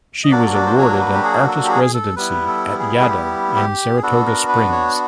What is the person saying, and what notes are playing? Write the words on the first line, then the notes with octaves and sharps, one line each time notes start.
She was awarded an Artist Residency at Yaddo in Saratoga Springs.
D#5
F#3 A#3 D4 F#4 D5
D5
C5
C#5
B4
G4
G#4
A4
G4
G#4
A4
G3 B3 E4 B4
A4
G#4
G#4
G4
G4
G#4
B3 D4 F#4 A4
A#4
B4
C#5